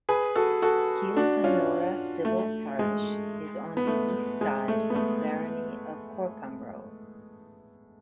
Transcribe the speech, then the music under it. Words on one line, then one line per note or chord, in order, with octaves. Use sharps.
Kilfenora civil parish is on the east side of barony of Corcomroe.
G#4 B4
F#4 A4
F#4 A4
D4 F#4
C#4 F4
A3
G#3
B3
A3
G#3
A3
B3
A3